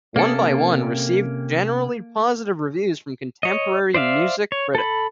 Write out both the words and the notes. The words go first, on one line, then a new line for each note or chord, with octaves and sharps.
"One by One" received generally positive reviews from contemporary music critics.
C3 A#3 C#4 A4
C#5 D#5
C5 D5 E5 F5
C#5
A4 B5